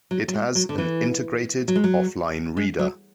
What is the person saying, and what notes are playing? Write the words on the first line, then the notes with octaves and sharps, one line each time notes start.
It has an integrated offline reader.
F#3
F#3
G#3
F#3
D3
E3
F#3
G#3
F#3
G#3
F#3